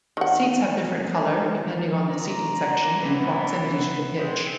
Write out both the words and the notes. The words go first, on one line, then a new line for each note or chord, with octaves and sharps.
Seats have different colour, depending on the seating section and proximity to the pitch.
D#3 F#5
F4 D5 A#5
E3 B3
G#3 C4